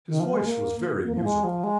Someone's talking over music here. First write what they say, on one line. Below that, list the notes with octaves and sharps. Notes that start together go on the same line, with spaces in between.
His voice was very musical.
D#3
F3
G#3
A#3
A#3
F3
G#3
F3
G#3